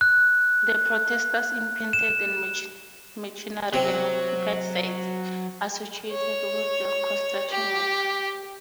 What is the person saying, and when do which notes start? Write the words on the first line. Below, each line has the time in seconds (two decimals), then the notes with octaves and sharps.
Protesters impeded machinery and occupied sites associated with the construction work.
0.01 F#6
1.93 E7
3.74 C3 F#3
6.11 C#5
7.50 G4